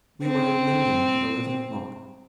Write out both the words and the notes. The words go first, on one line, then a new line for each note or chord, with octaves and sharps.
We were at Lyndon at eleven o'clock.
C4